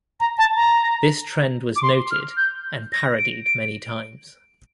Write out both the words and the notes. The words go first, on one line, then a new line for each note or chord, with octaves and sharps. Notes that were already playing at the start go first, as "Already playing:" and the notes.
This trend was noted and parodied many times.
A#5
A5
A#5
D6
C6
F6
G6
A#6
D7
D7